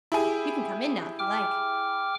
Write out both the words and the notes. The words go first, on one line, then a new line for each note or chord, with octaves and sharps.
"You can come in now, if you like."
E4 G4 G#4
G5 D6 F6